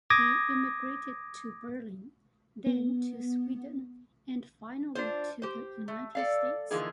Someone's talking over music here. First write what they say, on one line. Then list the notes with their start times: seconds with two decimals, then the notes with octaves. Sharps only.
He emigrated to Berlin, then to Sweden, and finally to the United States.
0.10 D6 D#6 G#6 A#6
2.67 B3
4.95 D4 F4 C5
5.42 G4 C5
5.88 A3
6.15 A4 D5 F5
6.71 D3 E3 F3 A#3 D#4 G#4